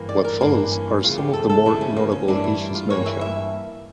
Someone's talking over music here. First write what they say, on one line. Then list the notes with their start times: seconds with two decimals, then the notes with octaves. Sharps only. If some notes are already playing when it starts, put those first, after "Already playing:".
What follows are some of the more notable issues mentioned.
Already playing: G2 E3 A#3
0.09 D5
0.24 A#4
0.40 G2 E3 A#3 D4
0.71 C#4
1.03 D2 C#3 F3 F4
1.18 G4
1.33 A4
1.49 A4
1.65 D2 C#3 F3 E4
1.81 C#4
1.97 A#3
2.11 C#4
2.28 G2 E3 G3 A#3 D4
2.44 E4
2.60 D4
2.75 F4
2.90 G2 E3 G3 A#3 C#5
3.06 E5
3.21 E5